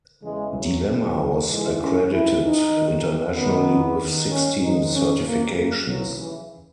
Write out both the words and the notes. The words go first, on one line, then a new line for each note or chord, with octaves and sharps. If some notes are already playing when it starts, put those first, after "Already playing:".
"Dilemma" was accredited internationally with sixteen certifications.
E2 C#3 E3 G#3
F#3
D#2 C#3 E3 F#3
G#2 E3 G#3
C#4
G#2 E3 E4
D#4
D#2 D#3
F#2 D#3 B3
D#2 D#3
C#4
G#2 D#3 D#4
C#4
F#2 C#3 E3 A#3
A#3
D#2 C#3 E3 F#3
E3